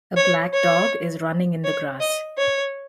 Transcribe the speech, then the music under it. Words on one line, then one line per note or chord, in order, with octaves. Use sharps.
A black dog is running in the grass.
C#5
C#5
C#5
D#5
C#5